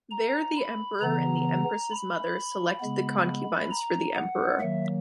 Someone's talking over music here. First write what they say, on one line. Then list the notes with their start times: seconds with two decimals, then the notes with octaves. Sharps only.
There the emperor and the empress’s mother selected the concubines for the emperor.
0.11 A#5
0.56 B5
1.01 C#3 E3 B3 A#5
1.91 B5
2.80 C#3 G#3 B3
3.70 A#5
4.15 F#5
4.60 D#3 F#3 A#3 E5